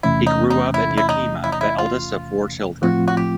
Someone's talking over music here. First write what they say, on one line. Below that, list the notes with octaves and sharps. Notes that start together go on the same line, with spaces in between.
He grew up in Yakima, the eldest of four children.
E2 C3 E3 A3 C#4 E4
D#4
D#4
E4
E4
D#4
E4
D#4
E4
F4
A2 F3 A3 C4 F4 F#4
F#4
G4